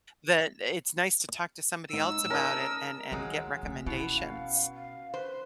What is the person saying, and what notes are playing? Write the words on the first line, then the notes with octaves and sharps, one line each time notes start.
that it's nice to talk to somebody else about it and and get recommendations.
G#2 D#4 E6
C#4 A#4 D#5 A5
A#2 D#3 E3 F#3 G#3
C#3 A3
B2 C#4 E4
F5
F5
B4 C5